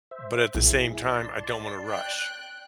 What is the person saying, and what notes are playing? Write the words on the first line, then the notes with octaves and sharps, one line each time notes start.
but at the same time, "I don't want to rush."
C5 E5
B1 A#2 E4 G#4
D5 A5 C6
G5 F#6